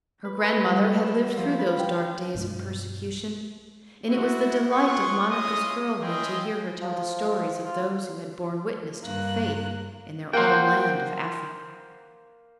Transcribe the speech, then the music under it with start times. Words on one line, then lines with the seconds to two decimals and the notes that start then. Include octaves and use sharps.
Her grandmother had lived through those dark days of persecution, and it was the delight of Monica's girlhood to hear her tell the stories of those who had borne witness to the Faith in their own land of Africa.
0.25 B4
0.44 B4
0.65 G3
0.91 B4
1.04 E6
1.23 E2
1.37 F3
1.59 B4
1.79 G5
2.34 B1 G2 G#3
4.09 E4 F#4
4.69 F4 G#4 F#5 C#6
5.29 C#4 E4 F4 D#5 D#6
6.02 C#4 E4 F4 G#4 D#5 G5
6.82 F3
7.64 F4
9.03 G2 A#3 F#6
10.33 A#3 C5 F#5 G5